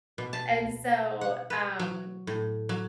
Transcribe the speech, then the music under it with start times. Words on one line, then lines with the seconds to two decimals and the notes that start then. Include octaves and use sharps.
And so, um,
0.18 B2
0.33 A5
1.21 F#5
1.50 B4
1.79 F#3
2.27 A2
2.69 F#3